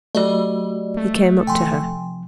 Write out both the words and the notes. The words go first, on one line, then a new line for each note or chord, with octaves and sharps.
He came up to her.
F#3 A3 F#4 G4 D5 D#5
A3
C3 F3 G5 G#5 C6